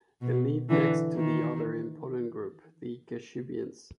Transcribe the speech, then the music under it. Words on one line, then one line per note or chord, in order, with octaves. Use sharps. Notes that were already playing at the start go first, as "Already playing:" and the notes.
They live next to the other important group, the Kashubians.
B2
D3 E3
D#3